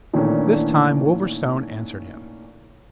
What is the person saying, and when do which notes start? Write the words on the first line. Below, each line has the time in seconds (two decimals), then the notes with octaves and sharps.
This time Wolverstone answered him.
0.13 A#2 D#3 E3 A3 C#4 D4